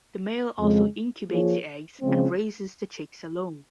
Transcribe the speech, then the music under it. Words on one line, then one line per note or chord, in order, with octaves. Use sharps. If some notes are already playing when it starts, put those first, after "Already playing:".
The male also incubates the eggs and raises the chicks alone.
F2 C#3 G#3
F3 A#3 F4 G#4 C#5
C#3 F3 G#3 C4